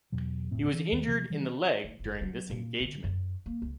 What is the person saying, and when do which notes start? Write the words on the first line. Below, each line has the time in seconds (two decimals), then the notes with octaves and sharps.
He was injured in the leg during this engagement.
0.12 E2 B2 F#3
0.51 E1 A2 C4
0.73 E3
0.92 D#2 D#3 G#3
1.08 C3 F3 A#3
1.30 D#3 E3 G3
1.84 E4
1.99 F#1
2.21 F#3
2.50 A#2
2.81 D3
3.04 F#2
3.46 A#3
3.62 C#2